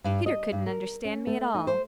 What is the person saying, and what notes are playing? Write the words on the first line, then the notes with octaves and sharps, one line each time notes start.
Peter couldn't understand me at all.
G2
D#5
G2
A#4
C#4
A3
D#4
C5